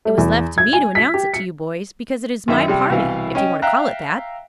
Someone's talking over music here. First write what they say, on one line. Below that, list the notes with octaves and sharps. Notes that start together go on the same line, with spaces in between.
It was left to me to announce it to you boys, because it is my party, if you want to call it that.
A3
E2
G#6
G#5
B6
G4
C#7
F#2 D#3 E5
C3 G3 G4
C2 B2 E3 F5
C#4 D#5 G5
E5 F5 G5 A#5 F#6